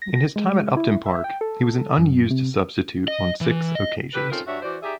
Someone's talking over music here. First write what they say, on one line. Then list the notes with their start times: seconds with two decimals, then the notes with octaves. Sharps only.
In his time at Upton Park he was an unused substitute on six occasions.
0.02 A#6
0.36 G#3
0.77 E4
1.06 E5
1.24 G5
1.41 A4
1.98 F#2
2.31 C3
3.08 D#5
3.41 E3
3.75 D#5
4.14 E4 G4 A4 B4
4.30 C4 C#4 D#4 F4 A4 A#4
4.46 G2 D4 F#4 C#5 E5
4.62 E3 F#4 C5 D5
4.83 D#4 G4 G#4 D5 E5